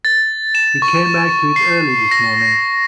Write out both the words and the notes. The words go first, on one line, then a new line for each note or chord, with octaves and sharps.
He came back to it early this morning.
A6
E7
C#6
C7
A#6